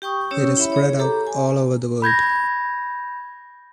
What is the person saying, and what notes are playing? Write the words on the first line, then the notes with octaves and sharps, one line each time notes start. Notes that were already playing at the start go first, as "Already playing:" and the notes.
It is spread out all over the world.
G4 G5 C#6 D#6
C#4 G4 C#5 E6
E4 C#5 E5 B5
G#4 C#5
G4 A4 A#5 D6
G#5
B5 G6 G#6 A#6